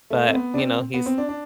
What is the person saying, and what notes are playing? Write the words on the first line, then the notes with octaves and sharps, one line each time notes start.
But you know, he's
A3
C4
B3
D4
C4
B3
C4
D4
D4